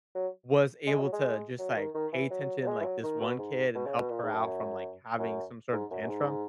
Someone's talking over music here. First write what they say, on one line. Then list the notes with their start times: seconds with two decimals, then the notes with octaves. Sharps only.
was able to just, like, pay attention, like, this one kid and help her out from, like, having some sort of tantrum,
0.15 F#3
0.86 G#3
1.00 F#3
1.12 G#3
1.59 F#3
1.76 D#3
1.94 D#3
2.12 E3
2.31 F#3
2.62 F#3
2.67 G#3
2.80 E3
2.85 F#3
3.03 D#3
3.21 B2
3.39 G#2
3.75 B2
3.86 C#3
3.98 B2
4.10 A#2
4.23 G#2
4.34 F#2
5.18 F#2
5.72 G#2
5.91 F#2
6.02 F#2
6.08 G#2